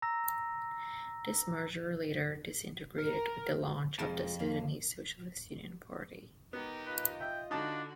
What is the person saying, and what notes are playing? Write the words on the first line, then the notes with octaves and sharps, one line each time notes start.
This merger later disintegrated with the launch of the Sudanese Socialist Union Party.
A#5 E6 A#6
A#4
F2 C3 G#3 F4
A#3 F5
B3 D#4 G4 A#4
F4 B4 D#5
E5 G5
D3 D4 D#4 F#4 A5